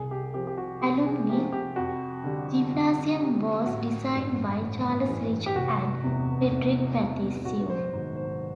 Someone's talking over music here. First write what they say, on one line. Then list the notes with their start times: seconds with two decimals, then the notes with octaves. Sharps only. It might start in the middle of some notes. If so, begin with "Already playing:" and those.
Alumni Gymnasium was designed by Charles Rich and Fredrick Mathesius.
Already playing: C2 G#4
0.11 G4
0.34 C3 F3 G4
0.47 G4
0.58 F#4
0.81 C2 G4
1.06 G#4
1.29 C3 F3 G4
1.53 G4
1.76 F2 F#4
2.24 D3 G3
2.71 F2
3.19 D3 G3
3.66 A1 F#4
4.13 G2 E3
4.62 A1
5.08 G2 E3
5.46 G4
5.55 F1 F#4
6.03 E2 C3
6.50 F1
6.98 E2 C3
7.45 A#1 F#4
7.70 C5
7.93 G#2 D#3 F#3 C5
8.16 C5